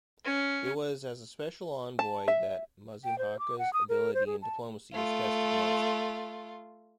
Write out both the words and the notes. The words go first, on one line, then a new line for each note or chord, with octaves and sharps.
It was as a Special Envoy that Mazimhaka's ability in diplomacy was tested most.
C#4
A5
E5
G5
C5
D6
F#5
D#6
A#4
C5
G#4
A5
A3 F4